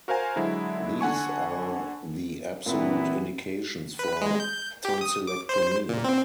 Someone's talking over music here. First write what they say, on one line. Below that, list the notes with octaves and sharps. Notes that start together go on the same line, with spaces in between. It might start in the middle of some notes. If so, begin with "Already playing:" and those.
These are the absolute indications for tonsillectomy.
F#4 A#4 C5 F5 G#5
D3 F#3 G#3 E4
D3 F#5 G#5 C#6
A1 A#2 E3 B3 C4 E4
B4
G#3
G6
G4
D#6
D6
C5
A#2
C4